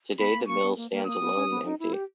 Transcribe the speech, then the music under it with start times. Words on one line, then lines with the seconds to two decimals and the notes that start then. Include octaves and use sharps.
Today the mill stands alone and empty.
0.19 B3 B5
0.33 A#3
0.47 A#3 C#6
0.63 B3
0.77 A#3
0.92 A#3
1.06 A#3 D#6
1.20 B3
1.35 C#4
1.50 B3
1.65 D#4
1.80 E4
1.93 G4